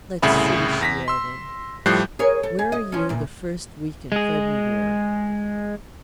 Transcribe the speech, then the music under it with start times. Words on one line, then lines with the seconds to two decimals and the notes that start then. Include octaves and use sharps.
"Let's see," she added, "where are you the first week in February?"
0.22 C2 A2 C#3 G#4 E5 B5
0.81 E2 A#6 B6
1.08 C6 E6
1.86 A2 F3 G3 F#6 G6 C7
2.19 G#4 A#4 C#5
2.43 A4
2.59 G#4
2.72 D#5
2.92 F3 C#4
3.09 E2 A#2
4.12 G#3 G#4